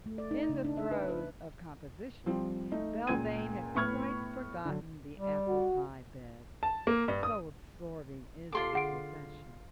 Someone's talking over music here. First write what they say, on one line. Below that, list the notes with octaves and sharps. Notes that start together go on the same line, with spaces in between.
In the throes of composition Belvane had quite forgotten the apple-pie bed, so absorbing is our profession.
A3
D5
D#4
C#3
D4
E5
B4
B4
F3 G3 C4
A3 D#4
C#2 A#2 G#6 D#7
A2 B3 B5 C#6 F6 G#6
D3 F#3
G3
F#4
A5
A#3
G2
D#6
F4 G4 A4 C6 D6
D3 G#4 F#5 D7